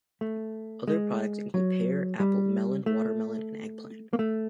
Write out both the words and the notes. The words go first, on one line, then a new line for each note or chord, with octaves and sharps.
Other products include pear, apple, melon, watermelon and eggplant.
A3
G#3
F#3
G3
A3
A#3
A3